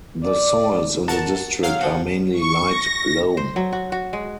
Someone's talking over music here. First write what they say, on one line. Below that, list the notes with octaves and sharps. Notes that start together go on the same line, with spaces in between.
The soils in the district are mainly light loam.
D5
F#4 A#4 A5
F#3 F5
F3 F#4
C#6
A#6
C5
F#3
F#4
F#4
G#3